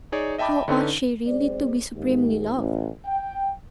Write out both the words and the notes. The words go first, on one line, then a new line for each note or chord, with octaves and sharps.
How ought she really to be supremely loved!
D#4 G#4 C#5 D5
D#5 E5 G5 A5 B5 D6
D3 C#4 D#4 A4 B4
B1 G#3 C4 D5
D#2 G#2
A1
G5